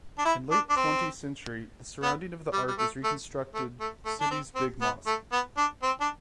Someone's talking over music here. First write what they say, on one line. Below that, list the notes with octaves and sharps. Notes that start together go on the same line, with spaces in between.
In late twenty century the surrounding of the Ark is reconstructed city's big mosque.
D4
E4
D4
D4
C4
B3
G3
G3
A3
A3
A3
A3
A3
D4
C4
C4
B3
A3
B3
D4
C4
D4